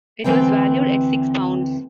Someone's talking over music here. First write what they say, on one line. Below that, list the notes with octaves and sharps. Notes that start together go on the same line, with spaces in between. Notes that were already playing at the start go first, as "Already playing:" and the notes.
It was valued at six pounds.
D2 C3 E3 C4 B4 G5